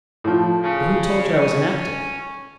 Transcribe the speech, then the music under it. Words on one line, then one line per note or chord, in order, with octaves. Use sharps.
"But who told you I was inactive?"
A2 F3
C#3
C#4